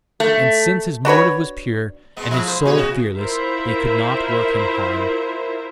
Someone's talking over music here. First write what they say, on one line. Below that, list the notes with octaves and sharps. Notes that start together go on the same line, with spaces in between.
And, since his motive was pure and his soul fearless, they could not work him harm.
A3
D4 F#4 B4 C#5
B2 G#3 B3
F3 E4
C5
B2 D#3 G#4 B4 C#5
C#3 F#4
E4 F4 A#4 C5 E5